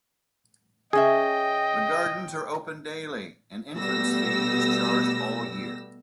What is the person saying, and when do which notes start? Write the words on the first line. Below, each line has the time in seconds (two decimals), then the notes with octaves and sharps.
The gardens are open daily; an entrance fee is charged all year.
0.93 C#3 C#4 G#4 D#5 E5 G5
3.77 B2 G3 A3 B3 E6 A#6